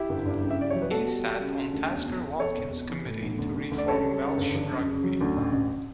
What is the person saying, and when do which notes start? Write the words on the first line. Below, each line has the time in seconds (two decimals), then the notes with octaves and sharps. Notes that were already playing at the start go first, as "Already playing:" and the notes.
He sat on Tasker Watkins committee to reform Welsh rugby.
Already playing: E4 G4
0.09 G1
0.25 G2
0.42 C#3
0.50 E5
0.58 C#3 D5
0.70 F#3 C#5
0.82 B4
0.91 B2 F#4 A4
1.08 G3
1.24 G3
1.40 C#3
1.58 C#3
1.73 D2
1.91 E2
2.07 B2
2.23 B2
2.39 E2 A4 C#5
2.57 E1
2.73 B2
2.90 E3
3.06 A2
3.22 B1
3.38 D2
3.55 D2
3.71 D2
3.78 D5
3.88 C#2 A4 C#5
4.04 G3
4.21 C#2
4.38 G1
4.55 D3
4.71 F#2
4.87 C#3
5.03 F#3
5.21 D2
5.37 A1
5.53 A1